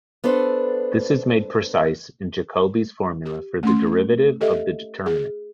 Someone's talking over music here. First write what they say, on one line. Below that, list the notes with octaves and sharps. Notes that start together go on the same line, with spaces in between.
This is made precise in Jacobi's formula for the derivative of the determinant.
B3 D4 A4 C5
G4
A3 C#4 C6
G4 A4 D#5 E5
G#4